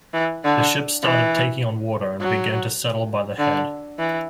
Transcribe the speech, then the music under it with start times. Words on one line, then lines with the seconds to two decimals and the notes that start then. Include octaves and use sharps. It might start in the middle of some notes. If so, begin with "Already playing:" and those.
The ship started taking on water and began to settle by the head.
0.13 E3
0.44 D3
1.02 E3
2.20 F#3
3.39 D3
3.98 E3